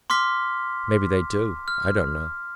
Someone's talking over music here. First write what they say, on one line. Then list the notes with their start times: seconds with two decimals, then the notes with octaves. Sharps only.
Mebby they do; I don't know.
0.10 C6 D6 F6 B6
1.68 F6